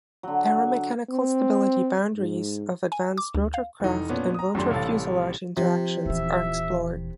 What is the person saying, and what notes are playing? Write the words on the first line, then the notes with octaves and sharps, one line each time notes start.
Aeromechanical stability boundaries of advanced rotorcraft and rotor-fuselage interactions are explored.
D3 F#3
C4
G#2
G#5
D6
D2
F5
F1 E3 D#4
A#2 B3 C#4 D4
A#5 D#6
G#1 F#2 A3 D4 G4 C6
A1 C3 G3 A4 F5 A6
C3 F3
D#1 E3 E5